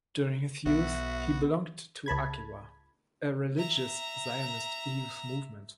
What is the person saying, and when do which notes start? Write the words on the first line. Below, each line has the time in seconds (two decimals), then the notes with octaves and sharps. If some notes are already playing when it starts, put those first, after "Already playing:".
During his youth, he belonged to Akiva, a religious Zionist youth movement.
0.66 B1 B3 F#4 E5
2.06 C#2 A5 B5 G#6
3.57 E5 A#5